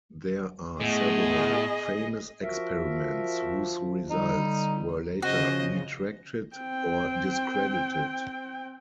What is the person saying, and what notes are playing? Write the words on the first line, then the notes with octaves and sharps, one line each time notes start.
There are several famous experiments whose results were later retracted or discredited.
A2 G#3 A3 B3 G#4 D#5
F3 F#4 A#4 E5
D3 G3 D#4
C#3 F3 F#4 C5 D#5
C4 G5